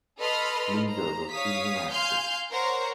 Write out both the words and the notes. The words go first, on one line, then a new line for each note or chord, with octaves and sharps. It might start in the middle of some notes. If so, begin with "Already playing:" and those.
Liga the season after.
A4 B4 D#5 B5 C6 F6
C5 A#5
C#5 F5 D#6 B6
F5 G#5 C6 F6 G6
A#4 C5 C#5 F#5 A#5